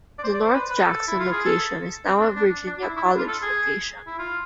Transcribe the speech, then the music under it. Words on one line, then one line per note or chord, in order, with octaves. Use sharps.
The North Jackson location is now a Virginia College location.
D5
C5
D5
C5
B4
B4
A4
E4
F4
G#4
A4
C4
D4
D4
D4
E4
E4
D4
F4
A4
G#4
E4
F4